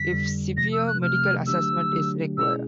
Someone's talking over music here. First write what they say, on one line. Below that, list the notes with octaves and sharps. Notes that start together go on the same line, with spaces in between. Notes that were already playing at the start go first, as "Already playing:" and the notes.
If severe, medical assessment is required.
Already playing: F2 D3 G3 B6
F2 D3 G3
C3 F3 A3 A#6
E6
F#6
C3 F3 A3 F6
D3 F#3 A3 D4 G4 E6
D3 F#3 A3 D4 G4
B2 G#3 C#4 E4 G#4 E6